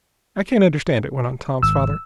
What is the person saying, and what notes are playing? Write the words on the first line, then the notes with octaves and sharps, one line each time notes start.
"I can't understand it," went on Tom's father.
G#1 E6